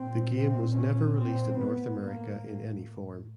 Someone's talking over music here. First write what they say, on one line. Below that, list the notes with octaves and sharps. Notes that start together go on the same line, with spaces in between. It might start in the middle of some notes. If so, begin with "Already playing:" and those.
The game was never released in North America in any form.
Already playing: A#2 C4
C4
C#4
C4
A2 B3
A#3